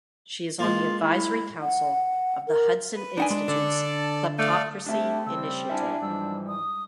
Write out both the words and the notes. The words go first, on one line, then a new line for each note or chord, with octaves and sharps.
She is on the Advisory Council of the Hudson Institute's Kleptocracy Initiative.
G#3 A#3 F4
E4
F#5
A#4
B4
D4 D#4 F#5 G#5
G#3
D3 A4 D5 A5
A3 A4 D5 F5
A3 C4 D4 G4 E5
C#3 G3 C4 E6
D4 E4 G4 E5 G#5
G#2 E3 F3 G3 E6
D#6